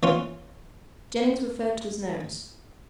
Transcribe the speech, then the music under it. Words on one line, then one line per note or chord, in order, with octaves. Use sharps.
Jennings referred to his notes.
E3 C#4 F4